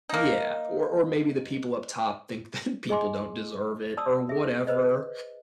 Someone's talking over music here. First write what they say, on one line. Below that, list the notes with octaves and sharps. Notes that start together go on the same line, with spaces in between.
Yeah, or or maybe the people up top think that people don't deserve it or whatever,
A#3 D#4
G#4 D#5 G#5 C6 D6
D5 A5 D#6 E6
G#4 E5
B4 C5 D#5